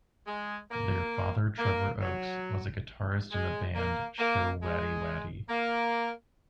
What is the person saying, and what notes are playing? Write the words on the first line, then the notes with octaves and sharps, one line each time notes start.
Their father Trevor Oakes was a guitarist in the band Showaddywaddy.
G#3
A#3
A#3
F#3
G#3
A#3
A#3
G#3
A#3